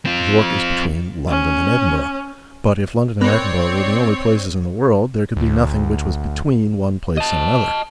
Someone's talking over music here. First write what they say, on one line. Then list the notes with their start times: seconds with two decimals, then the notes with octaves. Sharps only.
York is between London and Edinburgh; but if London and Edinburgh were the only places in the world, there could be nothing which was between one place and another.
0.05 C4 F4
1.28 C#4
3.21 B3 C4 A#4 C#5 D5
5.37 D2
7.17 D#5 A5